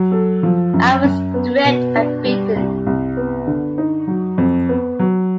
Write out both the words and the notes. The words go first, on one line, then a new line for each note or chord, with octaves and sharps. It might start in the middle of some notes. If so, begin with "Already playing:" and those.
I was stripped and beaten.
Already playing: F#3
A4
F3
F#2
F#2
B3
B2
D4
G3
C2
C2
B3
D3
D#4
F#3
F2
B3
F#3